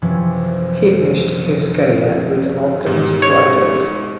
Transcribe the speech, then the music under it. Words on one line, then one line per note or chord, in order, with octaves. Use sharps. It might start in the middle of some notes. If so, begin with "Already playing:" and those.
He finished his career with the Oakland Raiders.
F#2 C3 E3 F3 C#4
G#2 B2 G4
C#5